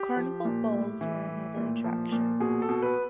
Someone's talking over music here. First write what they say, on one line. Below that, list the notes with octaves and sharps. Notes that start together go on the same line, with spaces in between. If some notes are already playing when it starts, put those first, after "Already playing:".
Carnival balls were another attraction.
Already playing: G4
F3
A#2
A2
E3
A2
A#2
F3
A#2
B2 G#4
A4
B2
B4